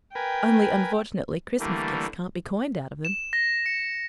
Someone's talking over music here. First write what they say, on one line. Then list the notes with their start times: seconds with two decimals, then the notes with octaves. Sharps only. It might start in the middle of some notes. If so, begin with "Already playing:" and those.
"Only, unfortunately, Christmas gifts can't be coined out of them."
0.15 A#4 B4 G5 G#5
1.59 D3 E3 G3 A3 A#3
3.05 E7
3.33 A#6
3.66 C#7